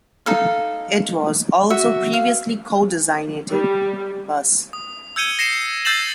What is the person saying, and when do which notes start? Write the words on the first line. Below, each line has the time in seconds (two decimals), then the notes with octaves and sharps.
It was also previously co-designated Bus.
0.26 D#4 A4 F5
1.70 F#4 E5
2.13 F5
3.49 G3
4.73 D#6
5.16 E6 G6 G#6 C#7 D#7 G7
5.39 A#6 C7 C#7 E7
5.85 E6 G6 A6 C7 E7 F#7